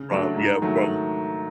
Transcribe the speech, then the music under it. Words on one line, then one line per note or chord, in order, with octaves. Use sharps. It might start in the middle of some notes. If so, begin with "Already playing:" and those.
from yeah, from
Already playing: C#3
F#3 A3 D4
G#2
D#3 F#3 A3